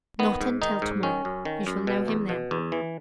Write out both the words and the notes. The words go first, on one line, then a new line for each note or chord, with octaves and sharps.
"Not until to-morrow--you shall know him then."
D#3 B3
G#2
D#3 D#4
G#2
D#3 C#4
F#2
D#3
F#2
B2
E2
B2
E2
E3